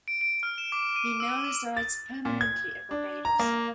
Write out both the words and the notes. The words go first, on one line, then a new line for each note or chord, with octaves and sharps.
He now resides permanently in Barbados.
D7
D7
F6
E7
D6
D#7
E6
D6
A6
A#2
G#6
D4
A#5
A#3